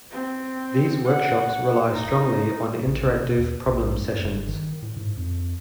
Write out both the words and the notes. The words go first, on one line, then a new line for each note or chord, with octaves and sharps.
These workshops rely strongly on interactive problem sessions.
C4
F#5
D#4
A1
B2
D#2
A#1
F#2
G1
D#3
A2
G#2
F2